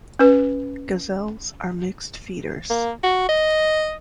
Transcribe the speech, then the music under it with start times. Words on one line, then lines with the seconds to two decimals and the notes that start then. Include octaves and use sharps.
Gazelles are mixed feeders.
0.19 C#4 B4
2.70 A#3
3.03 F#4
3.29 D#5